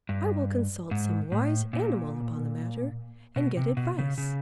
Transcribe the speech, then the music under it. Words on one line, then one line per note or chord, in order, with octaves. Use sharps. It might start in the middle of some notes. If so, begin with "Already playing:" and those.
I will consult some wise animal upon the matter, and get advice.
G2
G#2
A2
A#2
B2
C3
B2
C#3
C#3